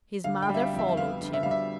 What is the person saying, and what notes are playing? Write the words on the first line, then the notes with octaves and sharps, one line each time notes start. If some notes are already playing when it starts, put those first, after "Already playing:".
His mother followed him.
D3 F5
G5
G3
E5
F5
F2
E5
E5
B3 F5
D3
E5
G3 F5
E5